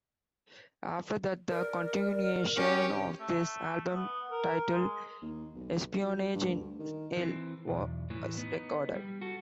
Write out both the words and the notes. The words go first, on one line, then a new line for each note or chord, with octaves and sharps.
After that the continuation of this album titled "Espionage in Hell" was recorded.
A#4 D5
C#4 G4
A3
B3
A#4
G#3
D#2
B1
F#3
G2
D2
D#3
E3 C4
B1 E2
A2 E3
B3 D#4
G3
F#4 A4